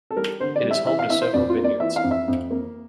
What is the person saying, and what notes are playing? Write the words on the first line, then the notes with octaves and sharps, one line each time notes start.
It is home to several vineyards.
A4
G3 A#4
D3 C5
D5
G3
E5
E3 E5
F5
E3 E5
C5
F2 D5
F4
A#3
D5
E3 E5
F5
F2
E5
F2
A#3